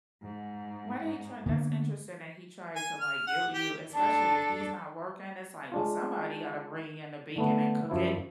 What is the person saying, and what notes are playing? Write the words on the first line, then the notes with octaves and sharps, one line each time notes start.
Why did he try that's interesting that he tried to, like, guilt you, especially if he's not working, it's, like, "Well, somebody gotta bring in the bacon and cook it."
G#2
D3 A#3 B3
G#5
F6
F#5
G4
D4 A4 A5
G#3 D4 F4
D3 A3 B3
F#2 F3 E4